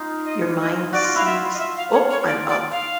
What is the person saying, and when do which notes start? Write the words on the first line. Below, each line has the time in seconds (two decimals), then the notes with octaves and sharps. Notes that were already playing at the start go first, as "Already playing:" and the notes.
your mind sees, "Oh, I'm up."
Already playing: D#4 F4
0.25 D#5
0.59 D#5
0.93 F#4 D5
1.04 F4
1.16 E4 F5
1.26 F4 E5
1.54 D#5
1.59 E5
1.77 F5
1.93 C#5
2.11 C#5
2.27 D5
2.49 D5
2.71 F5